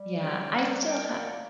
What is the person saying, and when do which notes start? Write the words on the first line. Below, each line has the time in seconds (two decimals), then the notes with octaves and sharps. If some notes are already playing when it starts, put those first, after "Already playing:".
Yeah. I still ha
Already playing: G3
0.18 C#4 G4 C#5 G5
0.48 G3 D4 A#4 C#5 G5
0.79 D4 A#4 C#5 G5
1.08 A#3 F#4 A#4 D5